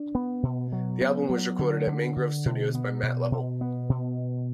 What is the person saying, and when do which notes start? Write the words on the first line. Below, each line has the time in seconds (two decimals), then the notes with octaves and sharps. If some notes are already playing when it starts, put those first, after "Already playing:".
The album was recorded at Mangrove Studios by Matt Lovell.
Already playing: D4
0.15 B3
0.43 B2
0.72 F#3
1.01 B3
1.29 F#3
1.59 D3
1.87 D3
2.17 D3
2.45 B2
2.75 B3
3.03 B2
3.32 B2
3.61 B3
3.89 B2